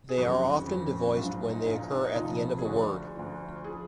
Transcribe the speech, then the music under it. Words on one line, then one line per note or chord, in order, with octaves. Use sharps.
They are often devoiced when they occur at the end of a word.
G#4
F#1 F2 D#3 F#3 F#4
F#1 F2 F3
A#1 G#2 F#3 F4
D#4
A#1 A#2 F3 F4
D#4
D4
D#4
F1 F2 F3 F4
G#4
D2 D3 F3 F#4
D2 D3 F3
F3 G#4